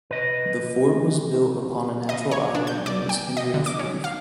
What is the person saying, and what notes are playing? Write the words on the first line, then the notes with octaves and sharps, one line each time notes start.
The fort was built upon a natural island known as Hendrick's Reef.
B4 D#5
D#5
C#5
D4
G6
D5
G5
D#5
D3
D6
C#4
F5